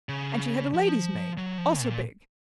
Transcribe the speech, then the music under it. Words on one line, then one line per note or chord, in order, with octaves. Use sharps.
And she had a lady's maid, also big.
C#3
F3
F#3
F3
A#2